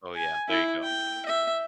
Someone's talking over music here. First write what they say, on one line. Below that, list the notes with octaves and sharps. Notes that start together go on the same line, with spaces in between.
Oh, yeah, there you go.
G#5
E4
G5
E5